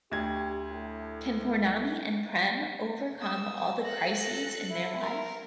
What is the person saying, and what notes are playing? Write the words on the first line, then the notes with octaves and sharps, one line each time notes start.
Can Pournami and Prem over come all the crises in their life?
D2 G4 G#6
A2
D#6 E6
A4 F#6 A#6
E4
A#4